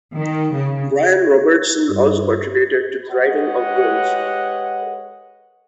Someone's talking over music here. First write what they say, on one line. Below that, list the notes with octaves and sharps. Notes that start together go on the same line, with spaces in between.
Brian Robertson also contributed to the writing of "Girls".
D#3
C#3
G2
G#3 G4 B4 C#5 D#5 F#5